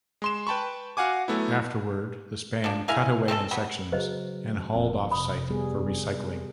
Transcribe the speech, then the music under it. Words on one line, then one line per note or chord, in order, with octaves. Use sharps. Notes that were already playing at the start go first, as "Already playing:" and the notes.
Afterwards, the span cut away in sections and hauled off site for recycling.
G#3 C6 E7
B4 G5 A5 B5 C#6
F#4 F5 F#5 G#5 D6
F#3 A3 B3 E4
F3 D4
G#3 E4 F5 G#5
C4 C#4 D#4 A4
F#3 G3 B3
C#3 F#3 F#4 G#4 B4 C5 D#5
F1 F3 C4
C3 B5 D#6
G3 B3 G#4